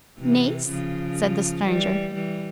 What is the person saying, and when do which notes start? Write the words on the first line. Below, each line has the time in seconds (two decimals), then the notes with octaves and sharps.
"Niece?" said the Stranger.
0.19 C3 E3
0.67 C#3 F3
1.66 E3 G3
2.15 E3 G3